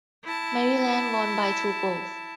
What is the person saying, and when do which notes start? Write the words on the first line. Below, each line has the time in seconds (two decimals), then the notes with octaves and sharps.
Maryland won by two goals.
0.24 E4 A5